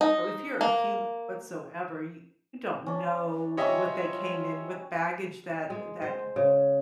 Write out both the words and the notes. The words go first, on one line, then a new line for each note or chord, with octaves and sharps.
know if you're a human whatsoever, you don't know what they came in with, baggage that that
D#4
A#3
C#4 D4
G3 C#4 F4 C#5 D#5 E5
G#3
C5
C#3